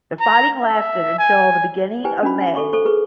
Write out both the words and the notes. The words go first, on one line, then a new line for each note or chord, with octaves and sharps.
The fighting lasted until the beginning of May.
A#5
E5
G#5
E4 G4 B4 C5 G5 G#5
C#4 D4 F#4 B5
F5 G#5
A4 C#6 D6
A4 C5 C#6
G#4 B4 C#6